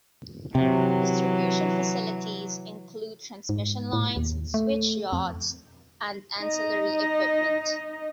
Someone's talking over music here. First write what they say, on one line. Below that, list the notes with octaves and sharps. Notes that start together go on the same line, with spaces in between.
Distribution facilities include transmission lines, switchyards and ancillary equipment.
C3 E3 F#3
G#2
A2
D#2
A3
F2
D#4 D#5